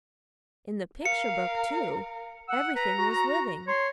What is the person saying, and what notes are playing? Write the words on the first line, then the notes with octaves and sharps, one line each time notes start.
In the picture book, too, everything was living.
A#4 F5 C#7
F#5 E6
B4 A#5
F#4
C#5 C6